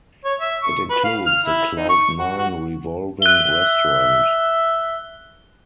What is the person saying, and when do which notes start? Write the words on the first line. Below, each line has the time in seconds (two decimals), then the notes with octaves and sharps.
It includes the Cloud Nine revolving restaurant.
0.25 C#5
0.40 E5
0.63 C#6
0.90 B4
1.04 F5
1.26 F6
1.46 E4
1.77 D#4
1.89 C#6
2.19 F#4
2.38 F#4
3.22 E5 F#6 G7